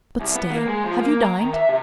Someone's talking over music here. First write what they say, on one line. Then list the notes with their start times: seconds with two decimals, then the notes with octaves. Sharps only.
"But stay--have you dined?"
0.21 C2
0.35 B3
0.51 A#3
0.68 G#3
0.85 F3
1.01 A#3
1.23 A#5
1.40 D#3
1.53 E5
1.69 C3